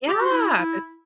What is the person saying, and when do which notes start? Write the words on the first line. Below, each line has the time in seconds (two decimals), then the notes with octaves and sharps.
Yeah, there's
0.08 G4
0.21 F#4
0.31 E4
0.59 E4